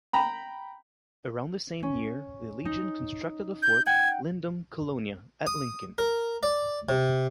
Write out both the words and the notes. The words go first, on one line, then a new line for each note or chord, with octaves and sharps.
Around the same year, the legion constructed a fort, Lindum Colonia, at Lincoln.
G5 A#5 B5
C#4
D#4
G6
F#5 G5 G#6
D#6
A#4
D5
C3